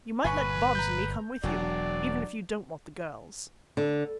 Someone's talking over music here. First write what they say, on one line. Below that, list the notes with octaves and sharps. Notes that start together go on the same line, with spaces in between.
You might let Bobs and me come with you - even if you don't want the girls.'
G1 A#2 B4 G#5 B5 C#6
A#5 G6
E1 F#3 D4 D5
D3